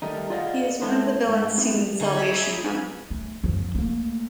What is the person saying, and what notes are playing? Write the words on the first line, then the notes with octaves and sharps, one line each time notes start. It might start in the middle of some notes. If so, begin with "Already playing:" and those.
He is one of the villains seen in "Salvation Run".
D#3 G3 A3 D#4
F4 G#4 D5 D#5 F5 F#5
G#3 C#4 E4 A4 C5
G#2
G3 B3 C4 D#4 E4
D3 D#4 G#4 C#5
C#5 E5 B6
B5 D7
B3 G#5 B5 D#7
A3
F#2 F3
A3 A#3